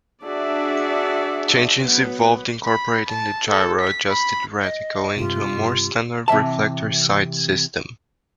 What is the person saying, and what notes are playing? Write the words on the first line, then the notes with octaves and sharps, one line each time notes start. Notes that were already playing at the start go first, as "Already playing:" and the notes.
Changes involved incorporating the gyro adjusted reticle into a more standard reflector sight system.
D4 F#4 G#4 D5 E5
F#3 B3 B4
B5
A5
A4
B6
B5
D#5
G2 C3 F4 G4
C3 E3 E5 A5